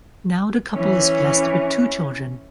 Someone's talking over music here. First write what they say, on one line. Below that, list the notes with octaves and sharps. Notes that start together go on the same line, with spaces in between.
Now the couple is blessed with two children.
E3 C#4